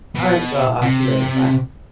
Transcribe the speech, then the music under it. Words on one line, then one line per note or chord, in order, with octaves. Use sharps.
all right, so I'll see you later, bye.
B2
C3